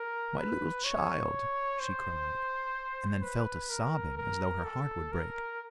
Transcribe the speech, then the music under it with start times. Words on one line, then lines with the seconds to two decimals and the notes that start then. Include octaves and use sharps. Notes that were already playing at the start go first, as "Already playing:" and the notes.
"My little child," she cried, and then fell to sobbing as though her heart would break.
Already playing: A#4
0.38 B4
0.84 C#5
1.80 C5
3.22 B4
3.70 A#4
4.17 A#4
4.64 A4
5.12 A#4